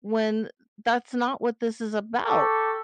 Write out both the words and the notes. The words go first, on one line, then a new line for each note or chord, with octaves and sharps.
when that's not what this is about?"
G4 A4 C#6